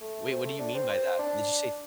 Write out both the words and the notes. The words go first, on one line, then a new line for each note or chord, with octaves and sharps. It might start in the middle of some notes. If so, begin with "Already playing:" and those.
Wait, what do you mean by that? Did you say
A3
C4
A3
D4
C4
C4
D4